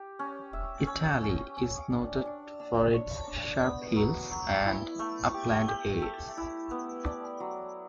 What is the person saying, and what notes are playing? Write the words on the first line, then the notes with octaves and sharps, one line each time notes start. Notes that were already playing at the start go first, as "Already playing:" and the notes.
Italy is noted for its sharp hills and upland areas.
Already playing: G4
C#4
E5
C#4
C#4
C#4
D4
D4
D4
C#5
D4
B3
F#3
F#3
E4
A3
G4
G4
A4
E4
B3
D5
F#3